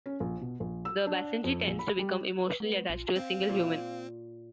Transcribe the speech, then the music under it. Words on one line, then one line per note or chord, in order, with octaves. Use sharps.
The Basenji tends to become emotionally attached to a single human.
C#4
A#1
B2
A#1
E6
D4
F2
A#1
B5
G3
B4
G#3 B3
A#1 F4
C4 F5
A#2